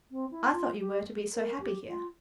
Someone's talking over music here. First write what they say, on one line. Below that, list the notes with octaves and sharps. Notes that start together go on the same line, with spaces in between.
"I thought you were to be so happy here."
C4
E4
F4
G4
A#4
G4
F4